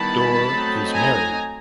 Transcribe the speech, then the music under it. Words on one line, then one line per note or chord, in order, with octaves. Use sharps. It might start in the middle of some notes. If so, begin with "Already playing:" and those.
Dorr is married.
Already playing: D#3 G3 B3 E4 A5 B5
F#3 A3 C4 D#4
G#5 A#5